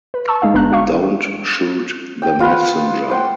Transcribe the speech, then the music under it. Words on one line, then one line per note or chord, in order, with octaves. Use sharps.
Don't shoot the messenger.
B4
A5 C#6 E6
G#3 D#4 F5
G1 B3 D4 A#5 F#6
D4 F#4 F5 C#6
G5
F4 B4 F#5
C5 F#5 G5